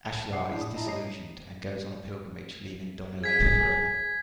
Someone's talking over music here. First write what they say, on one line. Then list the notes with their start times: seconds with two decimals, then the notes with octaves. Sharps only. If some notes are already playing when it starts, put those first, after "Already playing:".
Ashlar is disillusioned, and goes on a pilgrimage, leaving Donnelaith forever.
0.15 C2 A5
0.31 F#2 B2 F#5 D6 C7
0.46 A2 D4 E4 G#4 G6
0.61 D#6
0.74 E4 D#5 E5 A5 A#5
0.86 A2 G4 C#5 D#5 A#5 C7
3.24 G#4 G#6 B6